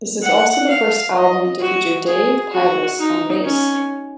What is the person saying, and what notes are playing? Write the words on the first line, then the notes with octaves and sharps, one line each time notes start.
This is also the first album to feature Dave Pybus on bass.
F#5
F5
D#5
F#4
G#4
F#4
D#4
C#4